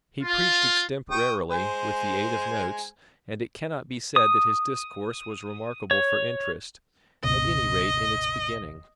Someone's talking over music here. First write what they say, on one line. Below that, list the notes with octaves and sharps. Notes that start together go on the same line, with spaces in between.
He preached extemporarily, with the aid of notes; and it cannot be said that his discourse was remarkable for interest, at any rate in its beginning.
F4
G5 C#6 D#6
G#3 C5 G#5
D#6
C#5
G1 C#2 B2 D#5